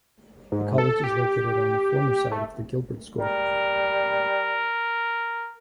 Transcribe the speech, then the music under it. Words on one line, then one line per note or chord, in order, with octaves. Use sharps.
The College is located on the former site of the Gilberd School.
G#2
A4
G4
A3
G3 A#4